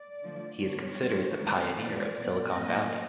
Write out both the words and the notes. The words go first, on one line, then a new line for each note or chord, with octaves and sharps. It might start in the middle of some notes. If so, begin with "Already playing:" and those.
He is considered the pioneer of Silicon Valley.
Already playing: D5
D3 F3 A3
D3 G3 B3 C#5
C3 F3 A3 D4 F4
D#3 G#3 B3
E3 G#3 C#4 F4 D5
A#2 G3 B3
A2 F#3 A#3 C#4 D#5